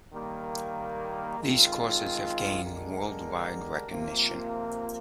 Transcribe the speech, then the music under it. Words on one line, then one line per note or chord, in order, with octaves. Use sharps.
These courses have gained worldwide recognition.
D#3 G3 A#3
D#3 G#3 C4 F4
D3 G#3 D4 G4 A#4
C3 F3 A#3 F4